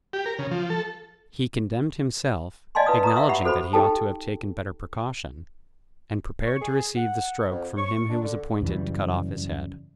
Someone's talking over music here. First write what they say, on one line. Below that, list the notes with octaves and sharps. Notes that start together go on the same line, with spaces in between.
He condemned himself, acknowledging that he ought to have taken better precaution, and prepared to receive the stroke from him who was appointed to cut off his head.
G4
A#4
C#3
F3
A4
D5 D#5 F5 G#5 A5 C6
E4 B4 F5 A5 D#6
A#5 C#6 D#6
E5 F5 E6
G4 F#5 B5
F#4 A4 C5 B5
D#4 G4 A4 G5 A5
C#6
G#4
F#5
F2
C#6
D4
D3
F#2 C#3 E3 G3